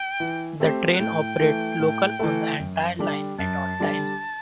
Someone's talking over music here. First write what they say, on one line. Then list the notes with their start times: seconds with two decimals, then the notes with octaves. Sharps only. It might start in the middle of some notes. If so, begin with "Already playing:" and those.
The train operates local on the entire line at all times.
Already playing: G5
0.20 E3
0.60 A3 C4 G4 C5
0.94 F#5
0.99 A2 G5
1.39 E3 A3
1.80 A2
2.19 E3 A3
2.59 F#2
2.99 D3 G3 D4 G4
3.39 F#2 A5
3.80 D3 G3 D4 G4